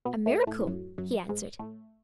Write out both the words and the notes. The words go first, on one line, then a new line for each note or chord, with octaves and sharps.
"A miracle," he answered.
B2 B3
A2 A3
A2 A3
E3
F#2 F#3
F#2 F#3
G#2 G#3
A2 A3